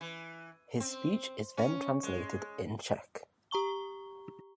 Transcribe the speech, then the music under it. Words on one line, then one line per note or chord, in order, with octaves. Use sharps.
His speech is then translated in Czech.
E3
C4
C#4
G#3
G4 A#5 C#6 G7